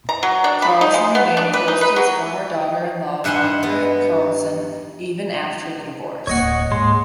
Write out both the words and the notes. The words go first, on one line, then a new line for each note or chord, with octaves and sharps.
Carlson remained close to his former daughter-in-law Margaret Carlson even after the divorce.
A#5
F#3
D4
B5
D#4
G#3
B3
D4
B4
D#4
B4
F#3
G2 E5 F#5 G#5 C6
B3
D1 D2 A#3 C#5 D#5 F#5
G#2 G#3 C6